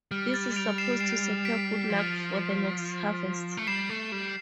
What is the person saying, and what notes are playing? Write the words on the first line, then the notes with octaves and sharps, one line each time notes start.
This is supposed to secure good luck for the next harvest.
G3 F6
A6
D7 F7
C7 E7
C7 E7
B6 D7
F3
A3
G3 C7 E7
A3
G3